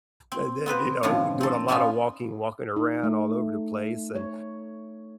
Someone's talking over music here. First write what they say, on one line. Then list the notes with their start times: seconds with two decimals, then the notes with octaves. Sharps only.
And then, you know, doing a lot of walking walking around all over the place, and,
0.32 C4
0.66 B3 C4 B4 C5
1.03 F#2 A2 D3 D#3 F3
1.41 C4 A4
1.68 A2 A3 B3 C#4 D#4 F4
2.76 D#4
3.03 A3
4.15 C#5